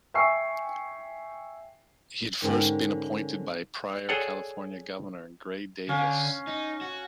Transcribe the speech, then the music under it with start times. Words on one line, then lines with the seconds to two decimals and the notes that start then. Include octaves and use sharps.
He had first been appointed by prior California Governor Gray Davis.
0.14 E5 G5 G#5 C#6 E6 C7
2.42 G#2 D3 C#4 A#4 C5 G5
4.09 G#4 A4 C#5 D5 F#5 G5
5.89 D3 C#4 F5
6.47 D#4
6.81 F#4